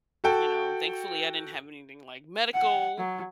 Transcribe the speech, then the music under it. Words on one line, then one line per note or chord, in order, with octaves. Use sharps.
you know, thankfully I didn't have anything like medical
F#4 A4 G5
F#5
F#3